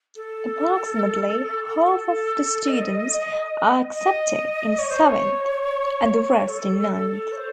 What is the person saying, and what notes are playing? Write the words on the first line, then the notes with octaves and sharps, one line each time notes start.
Approximately half of the students are accepted in seventh, and the rest in ninth.
A4
A4
D#5
D#5
C#5
C5
C#5
A4
C#5
C5